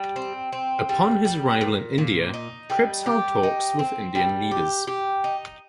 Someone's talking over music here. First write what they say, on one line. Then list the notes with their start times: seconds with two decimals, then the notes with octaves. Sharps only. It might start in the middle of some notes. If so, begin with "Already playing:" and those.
Upon his arrival in India, Cripps held talks with Indian leaders.
Already playing: G3
0.16 C4
0.53 C4
0.89 G3
1.25 G3
1.61 A#2
1.98 A#2
2.34 D#4
2.70 G3
3.06 G4
3.43 D#4
3.79 C4
4.15 G3
4.51 G4
4.87 G4
5.24 D#4